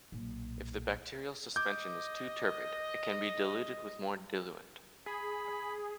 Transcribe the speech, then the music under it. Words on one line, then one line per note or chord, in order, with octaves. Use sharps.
If the bacterial suspension is too turbid, it can be diluted with more diluent.
B1 A#2
D#5 D6 G6
G#4 B5